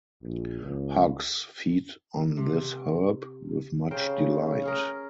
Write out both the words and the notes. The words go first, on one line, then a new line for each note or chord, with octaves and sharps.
Hogs feed on this herb with much delight.
A#1
C#2
C3
C#3 A#4 C5 G5
C#4 G#4 A#4